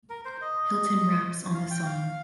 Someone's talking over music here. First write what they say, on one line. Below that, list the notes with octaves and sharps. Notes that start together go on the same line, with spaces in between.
Hilton raps on the song.
A#4
C5
D#5
F5
G5
F5